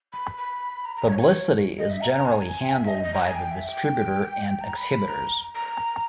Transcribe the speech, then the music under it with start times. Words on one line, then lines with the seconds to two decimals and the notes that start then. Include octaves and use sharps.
Publicity is generally handled by the distributor and exhibitors.
0.13 B5
0.37 B5
0.84 A#5
0.96 A#5
1.08 C#5
1.19 C#5
1.78 D#5
1.90 E5
2.01 A#5
2.13 A#5
2.25 G#5
2.73 E5
2.87 D#5
3.03 D#5
3.14 A#5
3.19 G#5
3.35 G5
3.51 E5
3.66 G5
4.61 A#5
4.77 B5
4.92 B5
5.07 A#5
5.55 A#5